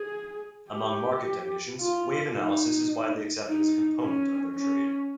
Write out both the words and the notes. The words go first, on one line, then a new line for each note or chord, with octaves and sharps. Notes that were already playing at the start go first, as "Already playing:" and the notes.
Among market technicians, wave analysis is widely accepted as a component of their trade.
Already playing: G#4
G4
F4
D#4
D#4
C#4
C#4